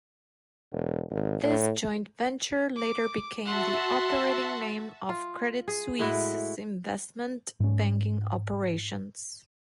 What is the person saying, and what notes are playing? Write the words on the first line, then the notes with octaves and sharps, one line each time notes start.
This joint venture later became the operating name of Credit Suisse's investment banking operations.
E1
G#1
A2
D6
F#4 E5 F#5 A5 C6
F4
G#4
A2 G#3 E4 F#4
G#2 C#4